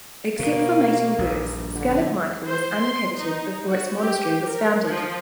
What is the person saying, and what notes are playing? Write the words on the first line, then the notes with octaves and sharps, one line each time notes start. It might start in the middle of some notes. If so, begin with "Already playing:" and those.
Except for mating birds, Skellig Michael was uninhabited before its monastery was founded.
B2 A#3
A#1 G2
D3
C5
C6
D#4
F#4
G4
A#4
F3